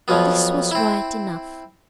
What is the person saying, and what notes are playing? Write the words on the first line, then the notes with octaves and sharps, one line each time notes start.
This was right enough.
F2 F3 F#3 B3
C4 E4